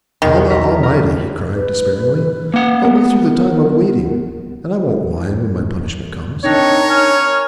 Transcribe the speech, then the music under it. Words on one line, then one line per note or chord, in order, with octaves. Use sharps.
'Allah Almighty!' he cried despairingly, 'help me through the time of waiting, and I won't whine when my punishment comes.
B1 E2 D#3
A#4 B6
A#4
B4
A#3 F#5
B3 A#4
C4 D4 D#4 A#4 C#5
G#5 F6